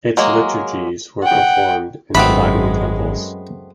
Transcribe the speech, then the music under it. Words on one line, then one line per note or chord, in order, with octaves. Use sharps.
Its liturgies were performed in the Latin temples.
F#3 G#3 A#3
F#5 G5
G#1 F#2 G#3 A3 B3 C4 B5